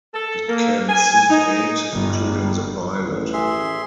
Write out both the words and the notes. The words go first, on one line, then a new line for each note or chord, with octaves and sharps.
It can seat eight, including the pilot.
A4
A#3
G#5
D#4
G1
A1
G#4 E5 C6